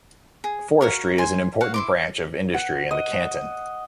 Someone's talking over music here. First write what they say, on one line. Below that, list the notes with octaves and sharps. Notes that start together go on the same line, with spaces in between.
Forestry is an important branch of industry in the canton.
G#4
F#4 A#4 F5
G#5 C6
F#4 F5 F#5
E4 C6 D6
F#5
D#5